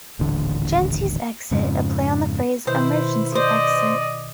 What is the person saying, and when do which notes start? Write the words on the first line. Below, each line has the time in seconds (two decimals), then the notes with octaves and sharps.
Gency's Exit', a play on the phrase "Emergency Exit".
0.19 D#1 A1 D3
1.51 F2 G#2 C#3 F3
2.67 B2 D#3 E4 C5
3.35 C5 D5 D#5